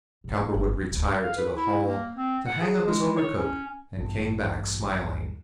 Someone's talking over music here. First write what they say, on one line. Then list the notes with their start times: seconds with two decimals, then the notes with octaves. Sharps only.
Cowperwood retired to the hall to hang up his overcoat and came back smiling.
0.24 A#2 D3
0.38 A#3
0.54 G1
0.75 B2 E3
0.91 D#1 D2
1.22 F5
1.36 B4
1.56 E4
1.84 A#3
2.16 C4
2.46 F#5
2.61 G#4
2.86 G#3
3.17 C#5
3.37 C#4
3.97 A1 G2 B2